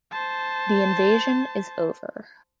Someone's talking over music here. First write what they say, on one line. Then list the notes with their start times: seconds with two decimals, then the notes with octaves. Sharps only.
The invasion is over.
0.12 C5 A5